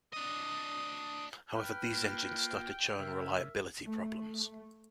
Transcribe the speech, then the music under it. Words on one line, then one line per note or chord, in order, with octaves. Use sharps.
However, these engines started showing reliability problems.
D4 D#5 D#6
B4 G5 F6
A#3 F4
C#3 A#4 E5
A3